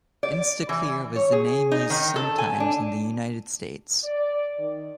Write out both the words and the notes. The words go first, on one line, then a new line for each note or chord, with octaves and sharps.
Instaclear was the name used sometimes in the United States.
D5
E3
C#5
G#4
D#4
D#3
A4
G#5
D4
D5
D#3